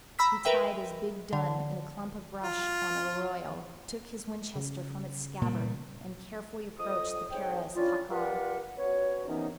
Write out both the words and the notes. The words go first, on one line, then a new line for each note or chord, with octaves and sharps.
He tied his big dun in a clump of brush on the arroyo, took his Winchester from its scabbard, and carefully approached the Perez /jacal/.
A#5 B5 E6 B6
A#4 B4 E5 G5
D3
F4
C#3
A#2 G3
F2 D#5 D#6
G#2 C4 C#5 G5
C#4 D4 E4 F4
F4 G4 A#4 B4 D5 F#5
B3 C#4 F#4 C#5
C3 D#3 E3 B3 C#4 D#4